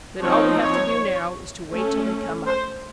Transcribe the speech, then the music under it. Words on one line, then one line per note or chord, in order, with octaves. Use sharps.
"Then all we have to do now is to wait till they come up."
F3 C4 D#4 C#5
C#5
A3 C#4
C5